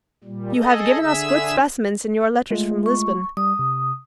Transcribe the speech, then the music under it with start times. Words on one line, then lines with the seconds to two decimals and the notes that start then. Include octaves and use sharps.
You have given us good specimens in your letters from Lisbon.
0.24 A#2 G3
0.55 G#4 A4 D#5
1.00 D3 G#4 E5 E6
2.51 G#3 A3 F4
2.86 C#6
3.37 G3 D#6
3.59 C3